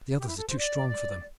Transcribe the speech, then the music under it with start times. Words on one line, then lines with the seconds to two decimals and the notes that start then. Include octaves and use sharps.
The others are too strong for them.
0.19 G4
0.28 E4
0.38 A4
0.49 C5
0.59 D5